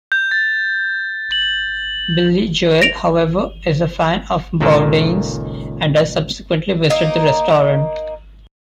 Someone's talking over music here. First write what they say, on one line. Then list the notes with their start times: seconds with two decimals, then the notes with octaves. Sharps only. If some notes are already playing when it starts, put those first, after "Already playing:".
Billy Joel, however, is a fan of Bourdain's and has subsequently visited the restaurant.
0.12 G6
0.31 A6
1.32 F#7
2.82 A#6 D7 F7
4.60 C#2 A#2 D#3 A#3 A4
6.90 A#3 D#4